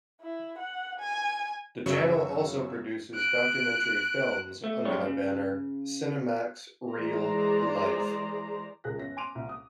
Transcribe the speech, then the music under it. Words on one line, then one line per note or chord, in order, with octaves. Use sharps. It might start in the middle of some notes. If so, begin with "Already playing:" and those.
The channel also produces documentary films under the banner "Cinemax Reel Life".
E4
F#5
G#5
F#2 C#3 F#3 C#6 E6
F#6 D7
A3
F#2 A#2 G3 C#5
C#3
E3 G#3 G#4 C5 D5 A#5
C#2 G#4 A#4 F#6 A#6
G1 C#4 A#6
G#5 C6 D6 D7 D#7 F7
C2 A#2
D#6